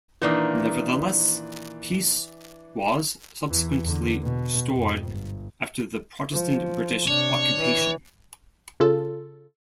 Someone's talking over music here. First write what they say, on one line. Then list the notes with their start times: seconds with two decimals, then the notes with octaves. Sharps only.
Nevertheless, peace was subsequently restored after the Protestant British occupation.
0.22 A#2 D#3 E3 A#3 D4 D#6
3.50 E2 E3
3.84 E2 D3
4.22 B2
4.75 F2 G#2
5.08 G1
6.33 F3
7.08 C3 D4 C#5
7.57 E3
8.80 C#3 F4 A4